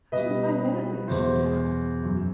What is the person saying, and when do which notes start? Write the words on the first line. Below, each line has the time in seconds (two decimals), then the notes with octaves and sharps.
I shouldn't mind anything if she would have me.
0.12 B2 G3 B4 D#5
1.08 E2 B2 F#3 C5
1.24 C5
2.04 F#2 F#3